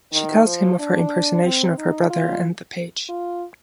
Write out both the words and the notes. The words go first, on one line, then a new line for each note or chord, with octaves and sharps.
She tells him of her impersonation of her brother and the page.
D#3
F3
D4
C4
D#4
F4
F4